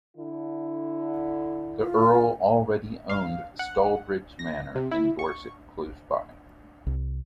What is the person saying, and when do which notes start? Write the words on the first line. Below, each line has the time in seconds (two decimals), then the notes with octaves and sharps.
The Earl already owned Stalbridge Manor in Dorset close by.
0.17 D3 E4
1.80 F4
3.10 F5
3.59 F#5
4.39 A#6
4.75 C3
4.91 E4
5.19 C#6
6.87 C2